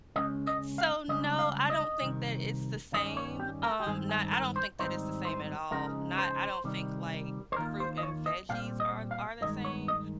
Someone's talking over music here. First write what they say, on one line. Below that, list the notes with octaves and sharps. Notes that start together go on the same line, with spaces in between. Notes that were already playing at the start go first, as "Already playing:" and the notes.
So, no, I don't think that it's the same, um, not I don't think that it's the same at all. Not I don't think, like, fruit and veggies are are the same,
C#2 C#3 G#3 C#4 D#5
D#5
F5
C#2 C#3 G3 C#4 D#5
F5
D#5
C2 C3 D#3
G2 D#3 G3 C#4 D#5
C#5
G4
A#4
G4
G2 D#3 G#3 C4 G#4
G#4
A#4
C5
G#2 D#3 G3 C4 D#4 C5
C5
C#3 F3 G#3 D#4 A#4
C5
C3 D#3 G3
C5
D#2 D#3 A#3 F4 A#4
C5
D#5
C#5
D#5
A#2 G3 C4 F5
D#5
F5
G2 D#3 G#3 D#5
C#5
D#5